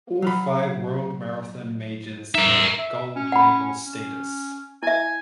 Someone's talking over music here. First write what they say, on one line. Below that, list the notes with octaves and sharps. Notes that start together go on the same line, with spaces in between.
All five World Marathon Majors had Gold Label status.
F#3 F5 B5
D#4 A#4 E5
E5
C#4
F#5 B5
C#4
E4 E5 G#5